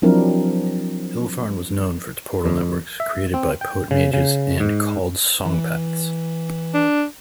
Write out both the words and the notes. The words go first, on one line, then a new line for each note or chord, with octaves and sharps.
Illefarn was known for its portal networks, created by poet-mages and called song-paths.
F3 F#3 C4 D4 E4 A#4
F2
E5
C4
G5
C#3
C#3
G#2
E3
D4